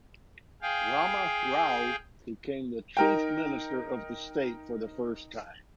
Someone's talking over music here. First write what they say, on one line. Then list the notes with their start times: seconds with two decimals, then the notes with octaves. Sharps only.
Rama Rao became the chief minister of the state for the first time.
0.62 G#4 F5 G5
2.97 D#4 A#4 G5